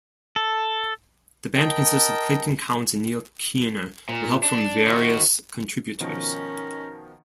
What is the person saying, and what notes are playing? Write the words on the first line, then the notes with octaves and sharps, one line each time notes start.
The band consists of Clayton Counts and Neil Keener, with help from various contributors.
A4
A#4 D#5 G5 A5
A#2
D4
D#3 F#4
B2 D#3 F3 C#4 A#4